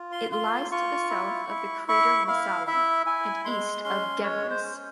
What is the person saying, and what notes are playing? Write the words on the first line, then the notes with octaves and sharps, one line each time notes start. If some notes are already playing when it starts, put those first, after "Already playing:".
It lies to the south of the crater Messala, and east of Geminus.
Already playing: F4
C6
F4 C6
F4 C#6
E4
E4
E4 C#6
E4 F5
E4 E5
E4 G#5
G#3 C6
C#4 C6
G#3 C#5
C5
C#4